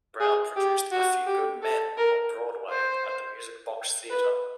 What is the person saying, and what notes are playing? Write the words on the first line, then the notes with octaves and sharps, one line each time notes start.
Brown produced "A Few Good Men" on Broadway at the Music Box Theatre.
G#4
G4
F#4
G4
A4
A#4
C5
B4